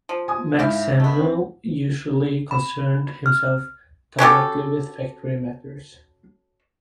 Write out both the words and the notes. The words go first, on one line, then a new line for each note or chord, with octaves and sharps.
Max Samuel usually concerned himself directly with factory matters.
F3
G#5 D#6
G#2 C#3 E4 F5 G6
A3 B3 D#5
C4
B5
F6
C#4 F#4 G4 A4